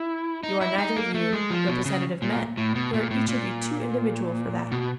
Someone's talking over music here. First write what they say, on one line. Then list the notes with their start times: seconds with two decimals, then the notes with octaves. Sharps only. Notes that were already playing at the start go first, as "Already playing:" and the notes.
You are neither of you representative men; you are each of you too individual for that.'
Already playing: E4
0.43 D#4
0.61 E4
0.78 D#4
0.96 A#3
1.14 A3
1.33 G#3
1.50 F3
1.68 B2
1.85 C#3
2.22 A#2
2.57 A2
2.75 B2
2.94 A#2
3.11 A2
3.29 A#2
4.72 B2